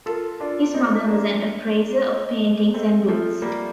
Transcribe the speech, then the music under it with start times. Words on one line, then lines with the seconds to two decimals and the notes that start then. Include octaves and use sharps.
His mother was an appraiser of paintings and goods.
0.06 F4 A4 A#4
0.40 D4 F4
0.73 C4 D#4 D#5
1.07 A#3 D4
2.08 D#5
2.74 A3 C4
3.09 F3 A3
3.42 G3 A#3